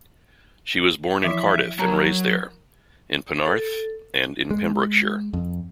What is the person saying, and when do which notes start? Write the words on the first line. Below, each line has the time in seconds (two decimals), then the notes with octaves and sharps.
She was born in Cardiff and raised there, in Penarth, and in Pembrokeshire.
1.24 E3 F3 E4 E5
1.79 F#3 A#4 A5 A#5
3.46 A4
4.51 G#3
5.33 F2